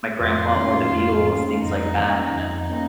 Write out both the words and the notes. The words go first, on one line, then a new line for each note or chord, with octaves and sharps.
my grandpa, more the Beatles things like that, and then
F2 F4
D#3 A#3 C#4
F2
D#3 A#3 C#4
F2 D#4
D#3 A#3 C#4
F2 D#4
A#3 C#4